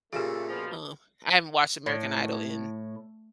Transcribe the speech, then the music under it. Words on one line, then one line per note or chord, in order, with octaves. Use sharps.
Uh, I haven't watched American Idol in,
A#2 C#3 A3 F4 G4
B2 F3
A2